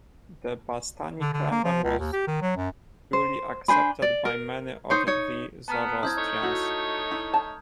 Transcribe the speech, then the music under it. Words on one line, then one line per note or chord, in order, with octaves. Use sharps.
The "Bastani" calendar was duly accepted by many of the Zoroastrians.
D3
D3
A#3
F3
C#2
D#2
G4
D#3
F#3
F#2
C5
D4 C5 G#5 B5
D5
A#4
D#4 C5 C#5
D#4 C#5
B3 A5 A#5 F6
C4 E4 D#6 G6 G#6
A3 D#4 C#5
E4 F#4
E4
A5